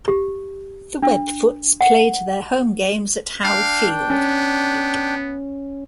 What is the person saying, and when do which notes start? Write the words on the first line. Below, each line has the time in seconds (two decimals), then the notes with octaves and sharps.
The Webfoots played their home games at Howe Field.
0.08 G4
1.03 D4
1.81 F#5
3.44 D4 F5 G5
4.10 B3 C#4